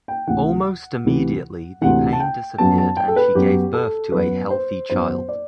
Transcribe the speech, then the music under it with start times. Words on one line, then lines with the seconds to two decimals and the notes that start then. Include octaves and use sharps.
Almost immediately the pain disappeared and she gave birth to a healthy child.
0.08 G5
0.27 D2 C3 E3 F#5
1.04 D2 C3 E3
1.81 D2 C3 E3 F#5
2.13 A5
2.20 G5
2.58 F#2 F#3 B3 A5
2.78 A5
2.97 G5
3.08 A4
3.16 B4
3.35 F#2 F#3 B3 G4
3.73 A4
4.12 F#2 F#3 B3 B4
4.50 C5
4.90 F#2 F#3 B3 C5
5.29 D5